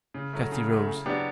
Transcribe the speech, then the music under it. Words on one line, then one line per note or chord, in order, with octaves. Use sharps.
Cathy rose.
C#3
F#3 A3
C#3
F#3 A3
C#3
F#3 B3 D4 G4